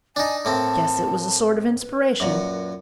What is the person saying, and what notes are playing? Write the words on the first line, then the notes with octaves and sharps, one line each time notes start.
Guess it was a sort of inspiration.
D4 D#4 G#5
A2 A#3 C4 A5
B4
F#2 A#2